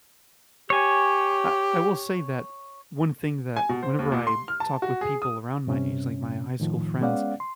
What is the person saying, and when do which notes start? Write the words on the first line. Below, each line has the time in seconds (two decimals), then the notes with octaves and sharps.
I I will say that one thing that whenever I talk with people around my age, like my high school friends,
0.70 G4 C#5 G#5
3.56 G#5
3.69 B2
3.83 C5
3.99 D#2
4.12 A#2
4.27 C6
4.48 F6
4.60 A5
4.82 F#4
5.01 G#4
5.22 D#6
5.67 G2 C3 C#4
6.60 A2 D#3 F3
7.01 G#3 B3 C#4 D5 F5 F#5
7.40 C6